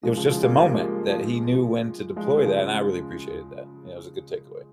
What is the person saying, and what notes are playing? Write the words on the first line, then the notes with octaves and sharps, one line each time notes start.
it was just a moment that he knew when to deploy that, and I really appreciated that, it was a good takeaway.
F3 G#3
C#3 F3
F3 G#3
G3 A#3
F3 G#3
F3 G#3
F3 G#3
F3 G#3
C#3 F3